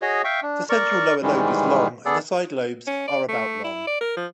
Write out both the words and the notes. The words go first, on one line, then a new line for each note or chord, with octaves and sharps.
The central lower lobe is long and the side lobes are about long.
F#4 G#4 C#5 D#5
E5 F5 G5 C#6
D4
A#4 D5 C#6
G#2 D#3 E3 G3 G#3
B3 G#4 A4 D5
C#4
D5
A3
E4
D5
A#4
F3